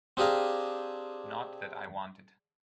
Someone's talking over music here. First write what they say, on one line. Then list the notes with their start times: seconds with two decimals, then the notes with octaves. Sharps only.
Not that I want it.
0.17 C4 D4 G4 G#4 F5 A#5